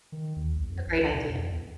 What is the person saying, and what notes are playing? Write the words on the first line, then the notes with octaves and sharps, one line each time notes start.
a great idea.
D#3
D#2
B1
F2
A1
C#2
B2
F2
E2